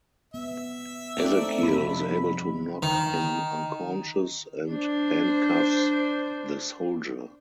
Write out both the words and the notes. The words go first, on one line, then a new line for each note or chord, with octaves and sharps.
Ezekiel is able to knock him unconscious and handcuffs the soldier.
B3 E5
A3 C4 D#4 D5
F2 C3 G3 B5
D#3
D4 C5